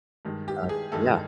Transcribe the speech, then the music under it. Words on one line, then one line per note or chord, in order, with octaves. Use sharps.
uh, yeah.
G2 D#3 G#3
G4
G#4
G2 D#3 G#3 A4